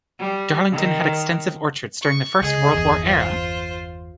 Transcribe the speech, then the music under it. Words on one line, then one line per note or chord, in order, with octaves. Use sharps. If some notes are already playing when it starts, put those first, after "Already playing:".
Darlington had extensive orchards during the First World War era.
G3
D#3
C#6
C#2 G#4 D#5
G1 E2
F4 C5